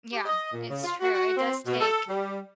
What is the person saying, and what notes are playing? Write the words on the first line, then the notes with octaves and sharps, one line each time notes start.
Yeah, it's true. It does take
G4
D#5
A#2
C#3
F4
F#4
F#4
C4
B2
A4
G3